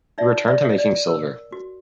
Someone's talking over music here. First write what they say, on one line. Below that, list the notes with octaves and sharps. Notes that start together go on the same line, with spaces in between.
He returned to making silver.
D#4 D5 E5
D5 E5
C#5 E5
D#5
D5
A#4
F#4